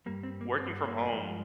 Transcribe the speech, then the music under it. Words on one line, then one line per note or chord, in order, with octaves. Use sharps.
working from home
G2 G3 A#3
C4
A#3
C4
A#3
G2 F3 G#3